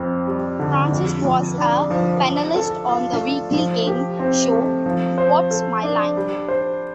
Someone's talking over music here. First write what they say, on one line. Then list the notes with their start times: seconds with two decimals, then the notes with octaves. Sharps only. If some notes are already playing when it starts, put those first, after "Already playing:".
Francis was a panelist on the weekly game show What's My Line?
Already playing: F2 C4
0.27 G3
0.59 D3
0.92 F2
1.25 F2
1.58 D4
1.90 F3
2.23 F3
2.56 A4
2.89 F4
3.21 A3
3.54 F3
3.87 G4
4.19 C4
4.53 A3
4.86 F3
5.18 C5
5.51 A4
5.83 D4
6.17 G3
6.48 C5